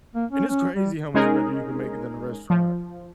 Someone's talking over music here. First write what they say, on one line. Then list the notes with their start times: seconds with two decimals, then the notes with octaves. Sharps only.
and it's crazy how much better you can make it than a restaurant
0.15 A#3
0.32 C#4
0.49 C#4
0.75 G3
1.14 G#3 C#4 D#4 G#4 A#4
2.50 F3